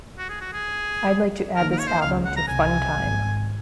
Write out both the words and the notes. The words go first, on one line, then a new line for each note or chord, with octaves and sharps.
I'd like to add this album to funtime.
F#4
G#4
F#4
G#4
D#2 D#3 A#4
A#4
C#5
C5
C#2 C#3 F5
F#5
A#5
C2 C3 G#5
G#1 G#2